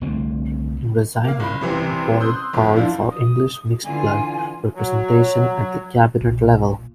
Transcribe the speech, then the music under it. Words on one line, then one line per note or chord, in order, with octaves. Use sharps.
In resigning, Boyd called for "English mixed-blood" representation at the cabinet level.
C2 D3 A3 C4
A#3 F5
F#1 B5
C2 C3 E3 C4
C6 D#6 E6 F#6 G6
G1 F2
F3 D4 E4 F4
D#6
D3 E3 F4 G#5
F#3
B1
A#2